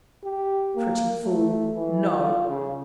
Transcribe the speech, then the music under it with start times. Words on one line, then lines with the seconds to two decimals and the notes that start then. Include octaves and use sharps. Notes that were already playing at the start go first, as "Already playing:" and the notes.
Pretty fool--no!
0.24 G4
0.75 A#3
1.24 A3
1.75 E3
2.10 F4
2.49 C#3